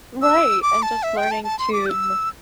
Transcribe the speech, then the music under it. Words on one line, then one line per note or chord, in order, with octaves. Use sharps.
Right, and just learning to
E6
D6
A5
E5
G5
A5
A5
C6
D6
G6
E6